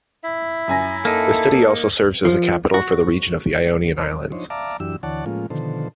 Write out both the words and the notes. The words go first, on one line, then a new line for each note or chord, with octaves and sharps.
The city also serves as a capital for the region of the Ionian Islands.
E4 E5
F#2 G#5 A#6
A#3 D#4 A4
F3
F#4
F3 D4 D#4 C5 C#5
D5 E5 F5 A5 A#5 D6
F#2 E3 D4 G4 E6
D2 E3 C#5 D5 F#5 A5
A2 F3 G#3 A#3 C#4 F4
B2 D3 D#3 F3 A4 C5